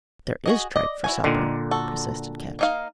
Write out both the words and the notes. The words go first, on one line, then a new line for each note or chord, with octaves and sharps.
"There is tripe for supper," persisted Ketch.
F#4 G#4 D#5
D5 D#5
E4 F#4 G#5
A#2 D3 D#3
F#4 A4
A#3 D#4 F5